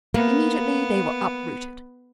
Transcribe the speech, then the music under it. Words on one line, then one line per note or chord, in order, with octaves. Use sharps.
Immediately they were uprooted.
A#3 B3